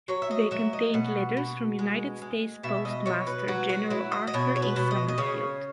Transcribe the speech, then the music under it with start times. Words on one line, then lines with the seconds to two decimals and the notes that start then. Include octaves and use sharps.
They contained letters from United States Postmaster General Arthur E. Summerfield.
0.08 F#3 C#5
0.22 E5
0.31 D#5
0.51 F#3 E5
0.73 D#5
0.94 B2 F#5
1.37 B2
1.79 G#3
2.22 G#3
2.63 B2 E5
2.85 D#5
3.06 B2 C#5
3.27 B4
3.48 F#3 F#4
3.69 F#4
3.90 F#3 E4
4.12 D#5
4.27 D#5
4.33 B2 C#5
4.56 C#5
4.62 B4
4.76 B2
4.91 D#5
5.08 D#5
5.18 C#3 C#5